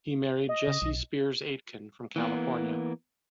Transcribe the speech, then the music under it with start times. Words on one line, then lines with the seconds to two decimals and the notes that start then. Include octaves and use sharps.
He married Jessie Spiers Aitken from California.
0.49 D#5
0.68 C#3
0.82 B1
2.16 E3 A#3 B3